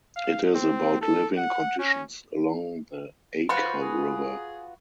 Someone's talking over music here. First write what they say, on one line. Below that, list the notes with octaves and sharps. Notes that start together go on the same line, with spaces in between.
It is about living conditions along the Aker River.
F5
C4
A4
F#5
C#4
F4 F#4 B4 C5 B5
G#4